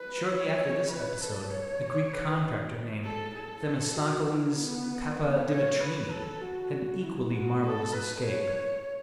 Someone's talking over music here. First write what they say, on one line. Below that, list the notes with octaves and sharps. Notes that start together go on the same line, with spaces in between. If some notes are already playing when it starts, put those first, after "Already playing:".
Shortly after this episode, a Greek contractor named Themistocles Pappadimitrini had an equally marvellous escape.
Already playing: B4
C#5
B4
A4
C#5
B4
A4
A4
F#4
E4
B3
B3
C#5
B4
A4
F#4
E4
F#4
A4
B4
C#5